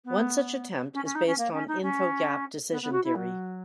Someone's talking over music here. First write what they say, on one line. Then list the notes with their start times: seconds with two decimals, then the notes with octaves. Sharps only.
One such attempt is based on info-gap decision theory.
0.04 B3
0.94 C#4
1.05 C#4
1.15 D#4
1.26 C#4
1.38 A#3
1.53 C#4
1.67 D#4
1.82 C#4
2.70 B3
2.82 B3
2.92 F#4
3.04 E4
3.15 F#3